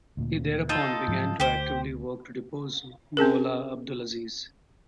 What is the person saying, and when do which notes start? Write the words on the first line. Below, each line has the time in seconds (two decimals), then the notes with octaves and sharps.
He thereupon began to actively work to depose Moulay Abdelaziz.
0.17 D2 A#2
0.69 D#4 F4 A4
1.08 G#2 F3 F#3
1.40 D2 G4 C5
3.17 C4 C#4 G#4 A#4